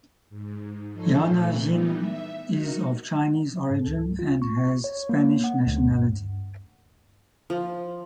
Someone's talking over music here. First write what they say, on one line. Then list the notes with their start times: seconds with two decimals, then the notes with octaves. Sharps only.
Jana Xin is of Chinese origin and has Spanish nationality.
0.29 G#2
0.92 F3 D#4 A4 C5 C#5
1.24 A#2 E3 A3
1.63 E3 G3 B3 D#4
1.95 E5
2.50 D#4 F#4 A#4
3.70 G#2
3.87 C#2
4.19 F4
4.42 C#6
4.84 C#5
5.09 A#3
5.44 F#5
5.66 D2
5.89 G2
7.50 F3